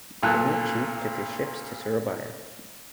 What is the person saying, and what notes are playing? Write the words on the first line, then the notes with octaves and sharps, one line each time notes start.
The new chief took the ships to Surabaya.
B1 A#2 A4 F#6